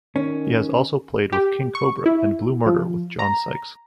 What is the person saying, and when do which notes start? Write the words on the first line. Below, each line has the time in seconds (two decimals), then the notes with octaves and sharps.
He has also played with King Kobra and Blue Murder with John Sykes.
0.16 D#3 C#4
1.32 G4
1.75 C#6
2.06 E4
2.66 F3
3.19 A#5